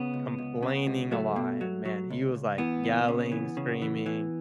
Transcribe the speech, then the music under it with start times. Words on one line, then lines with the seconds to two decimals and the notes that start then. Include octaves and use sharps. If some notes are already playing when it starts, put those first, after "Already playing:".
complaining a lot, and, man, he was, like, yelling, screaming,
Already playing: C#3 B3
0.14 C#2
0.38 C#2
0.63 C#3
0.87 C#2
1.11 F#3 A3
1.36 B2
1.61 F#3
1.85 F#3
2.10 C#2
2.35 C#2
2.58 E3 B3
2.84 C#2
3.08 C#3
3.32 E3
3.57 C#3
3.82 E3
4.06 E3